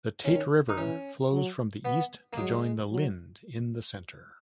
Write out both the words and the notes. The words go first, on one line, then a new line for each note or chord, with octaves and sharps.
The "Tate River" flows from the east to join the "Lynd" in the centre.
D#3 C#4
D#4
E3 C#4
F#3
B3
A#3
F#3 G#3
F#3